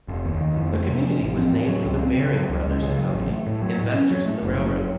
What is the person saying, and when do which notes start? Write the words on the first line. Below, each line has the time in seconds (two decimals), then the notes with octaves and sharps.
The community was named for the Baring Brothers and Company, investors in the railroad.
0.08 F1
0.25 D#2
0.41 D#3
0.56 F2
0.73 A3
0.89 C3
1.04 F3
1.21 A1
1.37 C4
1.54 A2
1.69 F#3
1.85 C#2
2.01 C4
2.18 C#3
2.34 F#3
2.49 C#2
2.66 C#2
2.81 C#3
2.98 F#3
3.13 A1
3.29 A3
3.46 A2
3.62 F#3
3.79 A2
3.94 C#4
4.10 F#3
4.26 A3
4.43 F#1
4.59 F#3